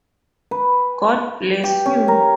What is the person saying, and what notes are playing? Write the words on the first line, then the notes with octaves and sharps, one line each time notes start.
God bless you.
B4
G4
C#4
A#4